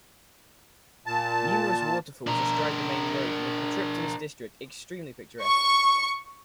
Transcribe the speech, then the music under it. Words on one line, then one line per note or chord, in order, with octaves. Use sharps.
Numerous waterfalls astride the main road make the trip to this district extremely picturesque.
A#2 A5
D4 A#4
C#6